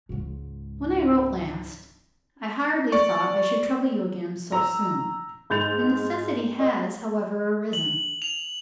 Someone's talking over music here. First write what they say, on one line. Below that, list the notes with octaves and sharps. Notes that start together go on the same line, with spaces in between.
WHEN I wrote last, I hardly thought I should trouble you again so soon. The necessity has, however, arisen.
C#2 G#2
D5 C#6
A#5 E6
G#2 G6 A6 F7
D#5
F#7
F7